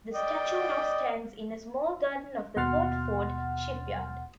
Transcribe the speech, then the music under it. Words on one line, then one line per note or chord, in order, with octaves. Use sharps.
The statue now stands in a small garden of the Port Fuad shipyard.
D5 D#5 G5
D#2 B2 F#5 C6 F6 A6